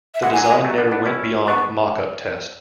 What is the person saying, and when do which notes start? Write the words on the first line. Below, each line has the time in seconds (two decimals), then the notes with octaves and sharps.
The design never went beyond mock up test.
0.15 E5
0.22 E3 G#3 F#5
0.33 G#5
0.36 D3 F#3
0.43 G#5
0.50 E3 G#3
0.64 F#3 A3
0.78 B3 D4
0.92 B3 D4
1.06 C#4 E4
1.47 B3 D4 C#6